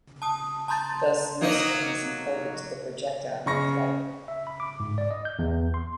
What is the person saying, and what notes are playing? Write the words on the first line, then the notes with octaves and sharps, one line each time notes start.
Thus, no spin is imparted to the projectile in flight.
A5 D#6
A5 A#5 C6 G6 A6
F#3 A#3 D#4
C#3 C#6 A#6
E5
B5
D6
G#2
D5
D#5
G6
E2
C6